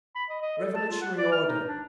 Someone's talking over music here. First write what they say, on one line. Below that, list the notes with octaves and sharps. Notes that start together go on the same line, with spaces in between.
Revolutionary order.
B5
D#5
D#5
A4
A5
F4
F#5
D5
F6
D#4
D4